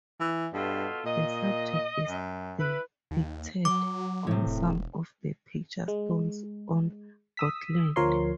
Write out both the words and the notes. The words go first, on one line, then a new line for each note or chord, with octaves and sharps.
The subject is depicted on some of the picture stones on Gotland.
E3
G2 B2 F4 A4
A#2 D#5
F#2
E4 B4
D#2
F#3 D6
A2 C3
E1
G#3
D#6 E6 B6
D2 F3 A#4 C#5 C6